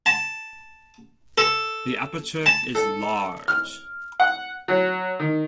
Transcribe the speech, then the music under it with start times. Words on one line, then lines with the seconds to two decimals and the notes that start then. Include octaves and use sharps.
The aperture is large.
0.06 A5
1.38 A4
2.46 A5
2.75 A4
3.48 F6
4.20 F#5
4.68 F#3
5.19 D#3